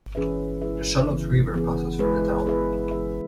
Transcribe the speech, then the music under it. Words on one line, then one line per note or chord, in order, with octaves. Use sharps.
The Shallotte River passes through the town.
E3 C#4 G#4 B4 E5
G#3 E4 G#4 B4 E5
C#3 E3 B3
E3 B3 G#4
G#3 E4 G#4 B4
B3 E4 G#4 B4 E5
E3 C#4 G#4 E5